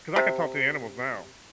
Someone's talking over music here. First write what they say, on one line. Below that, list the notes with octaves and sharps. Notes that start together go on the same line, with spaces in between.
cause I could talk to the animals now,
C3